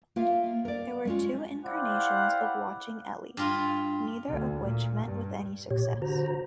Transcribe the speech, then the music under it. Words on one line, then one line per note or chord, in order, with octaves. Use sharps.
There were two incarnations of "Watching Ellie", neither of which met with any success.
A#3 F4 E5 F5
A#4 D5
G#3 C#4 F4
E4 G4 C5 D5 F5 F#5
G2 F4
D2
A#2
G2
A#2 G4 C#5
D3 F#4 C5 A#5